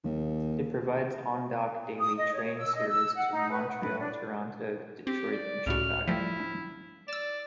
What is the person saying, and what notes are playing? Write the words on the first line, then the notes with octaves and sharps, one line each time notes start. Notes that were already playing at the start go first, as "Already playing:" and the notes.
It provides on-dock daily train service to Montreal, Toronto, Detroit and Chicago.
D#2
D#6
D#5
C#5
E6
D#5
E6
F#5
D#4
B4
F#5
B4
D4
C4 G4
D5
C#2 A2 F#4 F6
F3 G3 A3 E4
D5 E6 E7